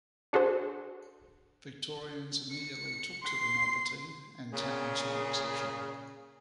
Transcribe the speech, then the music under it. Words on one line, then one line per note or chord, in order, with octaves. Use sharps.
Victorians immediately took to the novelty, and Towne was no exception.
D4 F#4 G#4 A4 C5
C#7
C6 C7
A#2 C#3 G#4